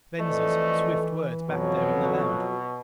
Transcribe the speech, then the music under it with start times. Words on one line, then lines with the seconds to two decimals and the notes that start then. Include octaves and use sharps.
Venza's swift words back there in the lounge.
0.20 F2 E3 A3 D5 D#5
1.49 F2 B2 F#3
2.14 B2